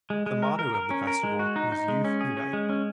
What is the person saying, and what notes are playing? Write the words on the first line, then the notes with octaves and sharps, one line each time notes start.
The motto of the festival was: Youth Unite!
G#3
G#3
A#4
A#4
A#4
C#4
A#4
G#3
F#4
D#4
D#4
G#3
C#4
G#4
C#4
G#3
C#4